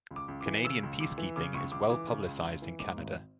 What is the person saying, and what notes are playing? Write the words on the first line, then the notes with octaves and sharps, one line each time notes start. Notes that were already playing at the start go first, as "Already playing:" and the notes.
Canadian peacekeeping is well publicised in Canada.
C#2
D6
C#2
D6
E3
C#3 E6
C#2
C#2 D6
E3
C#3 D6
C#2 C#6
C#2 D6
E3 D6
C#3
C#2
C#2
E3
G#2 D6
G#1